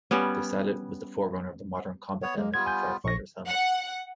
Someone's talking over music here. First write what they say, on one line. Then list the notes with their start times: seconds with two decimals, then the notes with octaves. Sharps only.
The sallet was the forerunner of the modern combat helmet and firefighter's helmet.
0.11 G3 B3 C#4
2.22 B3 C#5
2.38 G#3 A#3
2.54 G3 B3 F4 G#6
2.66 G#5 G6
3.04 A#1 C#6 A#6
3.47 F#5